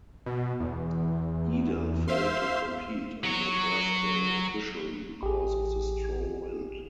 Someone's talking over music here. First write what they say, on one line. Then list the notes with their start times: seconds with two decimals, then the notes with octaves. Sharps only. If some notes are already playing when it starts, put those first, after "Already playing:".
Eden failed to compete on the first day, officially because of the strong wind.
0.26 B2
0.60 E2
2.08 C5 E5 F5 C6
3.24 F#3 C#5
5.23 A1 G4 G#4